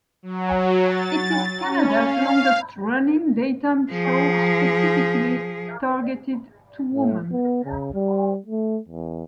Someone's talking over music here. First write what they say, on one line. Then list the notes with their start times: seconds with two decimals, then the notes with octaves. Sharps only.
It is Canada's longest running, daytime show specifically targeted to women.
0.23 F#3
0.87 A6
1.62 C#4
2.01 F5
3.91 F3 G#4
6.94 A2
7.31 B3
7.65 C#3
7.94 G3
8.46 A3
8.88 E2